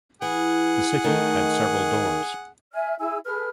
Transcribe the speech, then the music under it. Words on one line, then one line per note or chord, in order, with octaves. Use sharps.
The city had several doors.
E3 G#4 F#5
D#3 A3 D#4
D5 E5 G#5 F6
E4 G#4 G#5 E6
G#4 A4 B4 F6